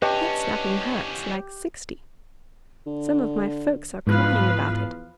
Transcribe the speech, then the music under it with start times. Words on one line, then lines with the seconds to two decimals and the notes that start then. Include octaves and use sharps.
That slapping hurts like sixty; some of my folks are crying about it.
0.02 E2 C#4 D4 G4 B4 C#5 D#5
2.87 D3
4.07 E2 G#2 F3 B4 F5